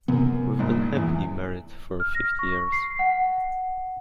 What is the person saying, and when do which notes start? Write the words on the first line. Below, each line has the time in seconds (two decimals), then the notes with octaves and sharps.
We've been happily married for fifty years.
0.08 F#2 C3 F3 A#3 B3
0.59 A#1 G#2
0.96 E2 E3
2.00 F6
2.15 A#6
2.39 C#6
2.72 C7
2.99 F#5